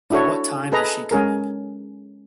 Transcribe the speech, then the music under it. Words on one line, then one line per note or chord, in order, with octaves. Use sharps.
At what time is she coming?
D4 E4 F#4 A4 C#5
G#4 A4 B4 D#5 A#5
G#3 C#4 G#4 A#4